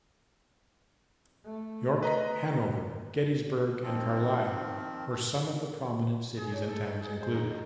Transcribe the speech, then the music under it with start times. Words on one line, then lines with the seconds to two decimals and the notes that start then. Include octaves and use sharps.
York, Hanover, Gettysburg and Carlisle were some of the prominent cities and towns included.
1.45 A3
2.03 B4 D#5 A#5
3.82 D#3 F3 C4
6.37 G#4
6.51 C#4
6.69 A4
6.83 G#2
7.01 G#4
7.21 C5
7.33 D3
7.50 A#2